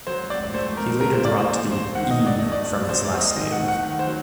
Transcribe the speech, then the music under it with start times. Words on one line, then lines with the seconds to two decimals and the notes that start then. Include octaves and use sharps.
He later dropped the "E" from his last name.
0.07 F#3 C5
0.30 C4 D5
0.54 A3 C5
0.77 C4 A#4
1.01 G3 A#4
1.13 C5
1.25 A#3 D5
1.37 C5
1.48 A3 C5
1.72 C4 C5
1.95 D#3 F#5
2.11 D#5
2.18 F#3
2.26 D5
2.40 A3 D#5
2.52 D5
2.66 D4
2.89 F#3 C5
3.05 D5
3.13 C4
3.20 D#5
3.36 D#3 D#5
3.52 F#5
3.60 A3
3.68 F#5
3.83 D#3 F#5
3.99 C5
4.06 F#3